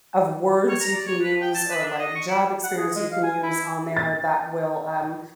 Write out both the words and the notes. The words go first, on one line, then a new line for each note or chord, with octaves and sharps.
of words you can use or, like, job experience you can use on there that will, um,
C#5
A#5
D5
C#5
B4
G5
A5
B4
D4
D#5
C#6
E4
F#5
G#4
G#3
F5
G#5
E4
A6